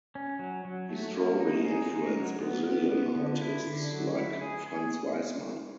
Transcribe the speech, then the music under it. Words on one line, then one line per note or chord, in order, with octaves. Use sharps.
He strongly influenced Brazilian artists like Franz Weissmann.
C#4
F#3
F#3
A3
A#3
D#4
G#4
D#4
F#3
B3
B3
B3
D3
E4
D3
F#3
E4
G#4
G#4